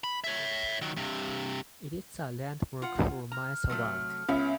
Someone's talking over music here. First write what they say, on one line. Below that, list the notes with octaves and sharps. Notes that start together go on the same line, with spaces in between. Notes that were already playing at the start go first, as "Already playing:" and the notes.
It is a landmark for miles around.
B5
C#5 E5
D#3 F#3
G2 C3
F4 F#5
A#5 F6
C3 F#3 A3
C#2 B3 C#4 E5